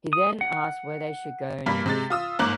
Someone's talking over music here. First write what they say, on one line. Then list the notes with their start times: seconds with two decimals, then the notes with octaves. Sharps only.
He then asks where they should go next.
0.13 D#6
0.41 F#5
1.66 G2 G3 A#3 B5 B6
1.86 C3 G#3 A6
2.10 F4 D#6 E6
2.39 G1 G#2 A#3 D6 F#6 F#7